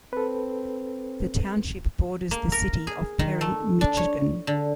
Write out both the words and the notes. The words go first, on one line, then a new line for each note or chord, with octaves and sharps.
The township borders the city of Perry, Michigan.
C4 A4 B4
A#3
A#4
G#4
D#3
A3
D4
C#5
D3